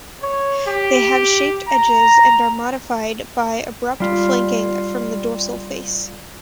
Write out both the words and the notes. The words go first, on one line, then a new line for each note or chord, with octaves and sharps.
They have shaped edges and are modified by abrupt flaking from the dorsal face.
C#5
G4
A#5
G3 F4